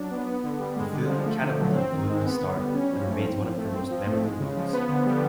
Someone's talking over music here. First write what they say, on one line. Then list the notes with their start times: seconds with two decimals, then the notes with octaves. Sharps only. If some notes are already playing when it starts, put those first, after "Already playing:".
The film catapulted Bloom to stardom, and remains one of her most memorable roles.
Already playing: F#3 D4
0.11 B3
0.26 B3
0.43 D3
0.59 G3
0.76 G#3
0.93 D3
1.09 F3
1.26 A3
1.42 D3
1.59 F#3
1.75 C4
1.92 D#3
2.09 G#3
2.25 B3
2.41 D3
2.57 G3
2.74 C#4
2.92 F3
3.08 A3
3.24 C4
3.41 F3
3.57 A3
3.73 C4
3.90 F3
4.06 A3
4.23 G#3
4.39 C#3
4.57 F3
4.73 B3
4.89 D3
5.06 G3